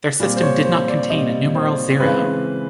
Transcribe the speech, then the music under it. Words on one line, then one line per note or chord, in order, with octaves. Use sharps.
Their system did not contain a numeral zero.
A#2 G3 C4
C5
C#5
C5
D5
A#2 G3 C4 D#5
C5
C#3 E3 G#3 C4 B4